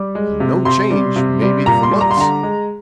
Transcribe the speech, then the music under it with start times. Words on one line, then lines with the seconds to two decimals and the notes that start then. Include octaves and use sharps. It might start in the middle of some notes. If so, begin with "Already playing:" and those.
And no change, maybe, for months.
Already playing: G3
0.15 G#3
0.40 C3
0.65 C3 C6
0.90 G3
1.16 C3
1.41 G3
1.66 A#2 A#5
1.83 C6
1.91 G3
2.01 A#5
2.11 C6
2.17 D3 A#5
2.43 G#3